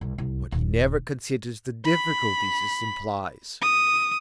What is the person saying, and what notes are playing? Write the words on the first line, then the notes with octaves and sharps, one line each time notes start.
But he never considers the difficulties this implies.
C2
C2
D#1
B5
D#6